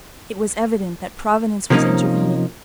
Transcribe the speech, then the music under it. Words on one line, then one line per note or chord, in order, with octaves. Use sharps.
It was evident that Providence was intervening.
C3 F3 A#3 C#4 D#4